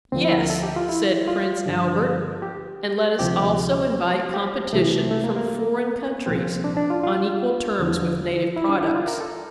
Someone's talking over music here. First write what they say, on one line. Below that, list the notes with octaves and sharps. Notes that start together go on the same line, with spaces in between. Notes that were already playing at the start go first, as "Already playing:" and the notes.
Yes, said Prince Albert, and let us also invite competition from foreign countries on equal terms with native products.
D2 D3 F3 C4
E4
A#4
A4
G4
F4
E4
F4
G2 D3 F3
G4
D2 C3 F3 G4
G4
C2 C3 E3 A3
A3
A#3
A#3
C2 A#2 F3 C4
D4
D4
F4
F4
E2 D3 F3
E4
D4
F4
E4
F4
A#4
A4